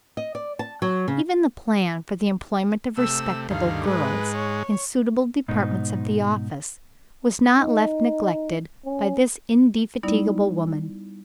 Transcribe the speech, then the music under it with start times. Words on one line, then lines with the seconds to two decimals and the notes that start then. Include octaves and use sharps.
Even the plan for the employment of respectable girls, in suitable departments of the office, was not left neglected by this indefatigable woman.
0.17 D#5
0.35 D5
0.59 A5
0.82 F#3
1.08 C#3
2.98 C3 A3 E6
3.50 D2 G2 D#3 F5
3.87 G#2 G#3 B4
4.35 C#5
5.48 G#2 B2 D#4
7.60 D#4
8.85 C#4
10.03 G3 B3 D#4 E4 D5